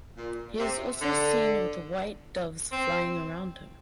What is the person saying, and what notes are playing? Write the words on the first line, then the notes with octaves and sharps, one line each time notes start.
He is also seen with white doves flying around him.
A#2
C3
D3
C4